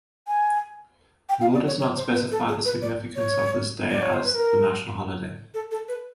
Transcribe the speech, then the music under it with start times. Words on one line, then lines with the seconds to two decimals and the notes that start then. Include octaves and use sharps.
The law does not specify the significance of this day as the national holiday.
0.27 G#5
1.29 G5
1.41 F5
1.54 D5
1.67 C#5
1.80 C#5
1.97 C5
2.14 B4
2.31 A4
2.48 G#4
2.65 B4
2.82 D5
3.16 C#5
3.91 D5
4.02 C#5
4.13 C5
4.24 B4
4.34 A#4
5.54 A4
5.71 A4
5.88 B4